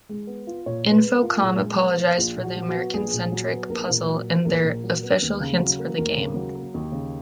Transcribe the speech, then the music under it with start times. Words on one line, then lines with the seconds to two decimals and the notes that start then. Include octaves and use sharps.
Infocom apologized for the American-centric puzzle in their official hints for the game.
0.09 G#3
0.27 B3
0.47 F4
0.66 A#2 C#5
0.85 G#3
0.91 B4
1.04 B3
1.16 A#4
1.22 F4
1.42 A#2 G#4
1.60 G#3
1.80 B3
1.99 F4
2.18 A#1 F4
2.36 A#2
2.43 F#4
2.56 F#3
2.69 F#4
2.74 B3
2.94 A#1 G#4
3.13 A#2
3.32 F#3
3.51 B3
3.69 A#1 A#4
3.89 A#2
4.08 F#3
4.27 B3
4.45 A#1 A#4
4.64 A#2
4.84 F#3
5.03 B3
5.22 D#2
5.40 C#3
5.60 F#3
5.79 A#3
5.98 D#2 A#4
6.17 C#3
6.36 F#3
6.55 A#3
6.74 D#2
6.92 C#3